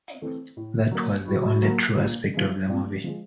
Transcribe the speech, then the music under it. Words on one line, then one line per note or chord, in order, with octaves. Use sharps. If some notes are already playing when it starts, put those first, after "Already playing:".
That was the only true aspect of the movie.
E3 A3 C4
A2
F#3 A#3
A2 E4 F#4
F#3 A#3
A#2
F3 G#3
A#2 A#3 C4
F3 G#3